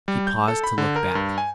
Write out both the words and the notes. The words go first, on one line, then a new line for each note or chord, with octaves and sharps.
He paused to look back.
G3
G6
A4
B5
D3
A#4
G2
G#5